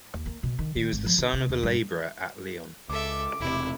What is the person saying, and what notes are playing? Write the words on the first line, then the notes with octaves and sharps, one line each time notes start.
He was the son of a laborer at Lyon.
D#2
A#3
B2
D#3
D#3
G#1
F3
D3
C3
D#2
G2
C#2 A4 E5 D6
E1 C3 E4